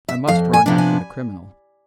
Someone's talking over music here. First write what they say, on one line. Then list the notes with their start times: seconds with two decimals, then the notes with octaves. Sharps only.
I must run after the criminal.
0.09 E5
0.28 F2 F5
0.53 G#5
0.66 C3 F3 B3 D4
0.78 G#5